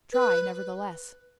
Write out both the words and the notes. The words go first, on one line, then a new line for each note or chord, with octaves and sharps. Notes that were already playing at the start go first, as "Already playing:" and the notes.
"Try, nevertheless."
B4